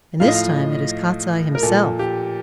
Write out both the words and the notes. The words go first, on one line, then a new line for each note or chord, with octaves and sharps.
'And this time it is Kostiei himself.
A2 F3 F5
D#5
F5
A#4
A#2 F3 A4
G4